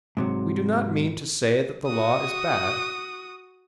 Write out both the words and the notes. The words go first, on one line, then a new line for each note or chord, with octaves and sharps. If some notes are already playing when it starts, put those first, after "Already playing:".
We do not mean to say that the Law is bad.
G#2 C3 F#3
F#4 D#6